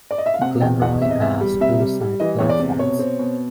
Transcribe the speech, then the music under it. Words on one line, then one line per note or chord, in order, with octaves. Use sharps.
Glenroy has two side platforms.
D5
D#5
E5
F5
C3 F#5
E2 G5
E2 F#5
C3 E5
D#5
E2 E5
G3
C3 E5
G3
G3
E3 D#5
E2 C#5
D5
C3
B2 C#5
C4
B2